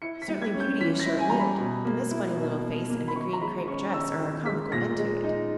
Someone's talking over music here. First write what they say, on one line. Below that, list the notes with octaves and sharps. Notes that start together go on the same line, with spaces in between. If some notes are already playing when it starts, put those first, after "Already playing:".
Certainly beauty is short-lived, and this funny little face and a green crape dress are a comical end to it.
E4 C#7
B6
G3
G#6
C#4
G6
E3 B6
A#6
E4
G#5
G3 A#5
B5
B2
A#3
E4
B2
B2
A#3
B5
D#3 C#6
A#5
G#3 B5
C#4 C#6
D#3 E6
D#3
G#3 B6
A#2 A#6
G#3
D#4